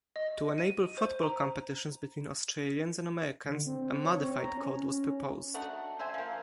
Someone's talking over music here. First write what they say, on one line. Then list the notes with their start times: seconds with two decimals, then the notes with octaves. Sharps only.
To enable football competitions between Australians and Americans, a modified code was proposed.
0.16 D#5
0.58 D#7
0.98 C5
1.23 A#5
3.45 D3
3.66 C4
4.04 C#5
4.23 C4
4.38 A#5
4.58 C#4
5.54 A3 D4 D#4 F#4
5.99 C4 C5 E5 G#5
6.14 F3 A#3